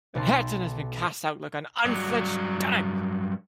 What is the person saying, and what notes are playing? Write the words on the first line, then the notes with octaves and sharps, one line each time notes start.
And Hareton has been cast out like an unfledged dunnock!
B1 B4 A5 C6
G2 F#3